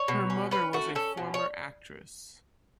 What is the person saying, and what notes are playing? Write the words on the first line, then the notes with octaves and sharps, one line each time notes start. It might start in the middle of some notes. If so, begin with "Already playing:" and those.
Her mother was a former actress.
Already playing: C#5
B2
C#4
C#4 B4
A3 F#4
C#4 A4
B2
C#5